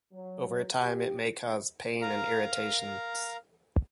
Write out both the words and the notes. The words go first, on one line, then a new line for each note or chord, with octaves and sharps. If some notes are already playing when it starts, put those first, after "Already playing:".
Over time it may cause pain and irritations.
F#3
G4
A#4 F5 A#5